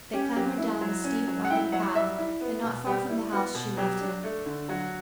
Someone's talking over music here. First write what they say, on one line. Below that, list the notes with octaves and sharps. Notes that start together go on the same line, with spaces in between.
They clambered down the steep, winding path, and not far from the house she left him.
C#4 G4
F#3 G4
E4
F#3
C#4
F#3
F#5
E4 G5
F#3 F#5
G3 E5
E4
B3
B2
G3 G4
E4
B3 F#4
B2
F#3 G4
D4
A3
D3
F#3 F#4